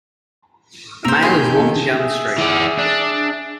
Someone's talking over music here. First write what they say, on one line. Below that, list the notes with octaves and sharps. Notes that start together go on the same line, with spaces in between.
A male is walking down the street.
A#3 A#4 C5 E6 F7
D#3 G4 G#4 G#5 B5 C6 G6
A#3 D#4 A4
G#4 E5
E3 D5
D4